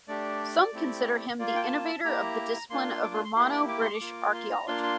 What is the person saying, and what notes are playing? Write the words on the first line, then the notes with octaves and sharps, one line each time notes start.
Some consider him the innovator of the discipline of Romano-British archaeology.
A3 D4 G4 D5
A3 C4 E4 G4
A#3 F4 D5
F5
G5
A5
A#3 E4 G4 A#5
A#3 D4 F4 C6
D6
C6
C6
A#3 E4 G4 C6
D6
D6
C6
D6
A#3 F4
C6
A#5
A#3 D4 F4 C6
C6